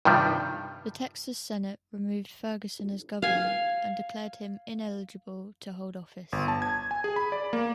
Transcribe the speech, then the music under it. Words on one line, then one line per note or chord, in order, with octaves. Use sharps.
The Texas Senate removed Ferguson as governor and declared him ineligible to hold office.
G2 C3 D#3 F3 G3
F5 G#5
G1
A5
G#6
G#5
G#4
B5
D5
A#3